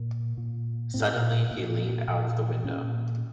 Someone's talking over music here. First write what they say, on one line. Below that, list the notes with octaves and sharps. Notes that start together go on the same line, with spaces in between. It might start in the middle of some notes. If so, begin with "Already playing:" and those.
Suddenly he leaned out of the window.
Already playing: A#2
A#2
A2 C4
A#2
A#2
A#2 C#4